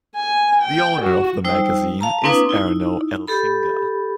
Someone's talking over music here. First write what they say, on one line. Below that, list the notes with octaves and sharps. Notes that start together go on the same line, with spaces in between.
The owner of the magazine is Erno Elsinga.
G#5
G5
F#4
G3 D#4 C5 E6
F5 A5 A#5
A#3 C4 D4 E4 B4 D#6
D#4 E4
G4 A4 B5